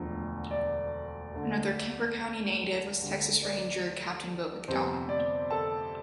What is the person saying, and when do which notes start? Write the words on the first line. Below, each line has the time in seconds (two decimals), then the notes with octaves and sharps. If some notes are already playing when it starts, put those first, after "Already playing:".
Another Kemper County native was Texas Ranger Captain Bill McDonald.
Already playing: E1 D2 D3 F3
0.51 D5
1.34 D2 D3 A3
3.01 D2 D3 G3
3.43 D5
4.68 F2 C3 G3 B3 C5
5.09 D5
5.50 A4 A5